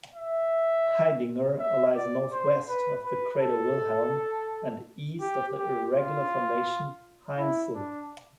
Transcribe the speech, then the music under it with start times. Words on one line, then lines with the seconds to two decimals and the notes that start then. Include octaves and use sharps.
Haidinger lies northwest of the crater Wilhelm and east of the irregular formation Hainzel.
0.15 E5
1.60 E5
1.95 D5
2.32 C5
2.68 B4
3.05 B4
3.40 A4
5.21 G4
5.58 G4
5.94 F4
7.38 E4
7.75 D4